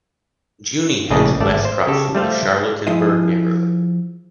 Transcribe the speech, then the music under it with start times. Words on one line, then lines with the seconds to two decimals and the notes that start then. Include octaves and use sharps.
Juni heads West crossing the Charlottenburg neighborhood.
1.10 A#1 A2 C#3 G#4 D5 D#5
1.40 G#1 A3 D5 A5
1.65 C5
1.87 C#3 G4 A4
2.15 G3 A3 C5 F5
2.87 F3 E4 F4 G#4 D#5